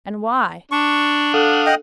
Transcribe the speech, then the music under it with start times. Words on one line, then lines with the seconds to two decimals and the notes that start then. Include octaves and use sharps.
And why?
0.71 D4 C#6
1.34 A4 F5 F#5 D#6
1.66 D#5 G5